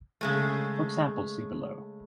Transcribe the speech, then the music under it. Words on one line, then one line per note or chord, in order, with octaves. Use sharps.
For examples see below.
C#3 G#3 A3